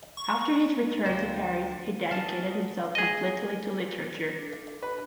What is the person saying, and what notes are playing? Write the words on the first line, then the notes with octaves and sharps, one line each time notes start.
After his return to Paris he dedicated himself completely to literature.
C#6
D2 D4 F4 G4 C5 G5
F#3 D#5 F5 A5
G#4 D#5
D4 A4
B4